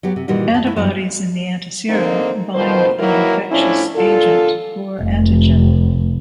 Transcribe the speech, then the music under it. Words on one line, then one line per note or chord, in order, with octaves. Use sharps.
Antibodies in the antiserum bind the infectious agent or antigen.
F#3 B3 G4
C3
A#2 D#3 E3 G3 F#4
D#2 A5
A3 E4
G2 E3 F#3
D#2 D3 A#3 C4 D#4
F2 B2 D#3 F3 C5
D#3 E3 F#3 A#3 E4 A#4
A2 F3 C#4 D4 E4
A#2 D3 F4 A4
F1